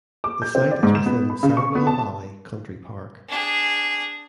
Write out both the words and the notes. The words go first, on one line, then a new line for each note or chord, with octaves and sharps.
The site is within Sandwell Valley Country Park.
D6
G6
C4
D5
G#2
E7
B3
B5
C#3
C#6
B3
A5
D4 G#4